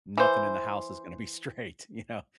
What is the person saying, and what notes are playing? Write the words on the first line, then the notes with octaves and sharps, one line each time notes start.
nothing in the house is gonna be straight, you know?
E3 C5